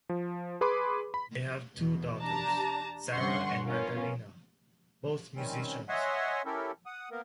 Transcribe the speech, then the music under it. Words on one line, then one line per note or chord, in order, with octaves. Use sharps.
They have two daughters, Sarah and Maddalena, both musicians.
F3
G#4 B4 B5 C6 D6
B5
E2 B2
D4 G4 A5 A#5
G2 D3 C#4 F#5 C6 C#6
B3 C#4 F4 A#4
D#3 G3 C4 C#4
C#5 D#5 E5 F#5 G#5 C6
C#4 E4 G4 A4 A#4
F#5 D#6
A#3 B3 A#4